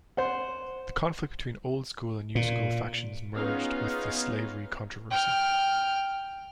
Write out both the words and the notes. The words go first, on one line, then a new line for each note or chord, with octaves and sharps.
The conflict between Old School and New School factions merged with the slavery controversy.
C5 F#5
A#2
B3 C#4 D#4 F4 G#4 F5
G5 F6